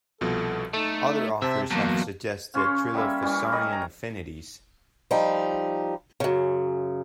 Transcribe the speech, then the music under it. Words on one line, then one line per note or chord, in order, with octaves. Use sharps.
Other authors have suggested trilophosaurian affinities.
C2 B2 F3 A4
A3 D#4 A4
C3 C5 E5 A5
E2 F#3 A#3 A5
C#3 C#4 C#5 C6
G3 A#3 E5 B5
E3 G3 C#4
A#4 D#5 B5
A#5
F3 G3 D#4
F#2 C#3